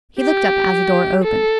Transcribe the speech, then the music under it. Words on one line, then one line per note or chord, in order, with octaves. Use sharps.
He looked up as the door opened.
G4
A4